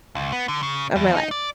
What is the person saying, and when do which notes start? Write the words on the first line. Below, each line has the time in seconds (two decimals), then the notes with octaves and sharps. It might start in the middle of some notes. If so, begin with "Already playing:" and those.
of my life."
0.15 C#2
0.33 B3
0.48 D3
0.63 C#3
0.96 E2
1.15 D#4
1.31 D5